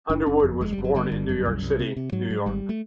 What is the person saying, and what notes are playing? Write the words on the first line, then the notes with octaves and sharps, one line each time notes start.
Underwood was born in New York City, New York.
F#1 D4
F#1 C#4
F2
F#1 G#3
G3
G1
F#3
D3 G3
G1
F#2
C2
C2
C3
C3
G#2 F#3
G#2
G#1 G3
A3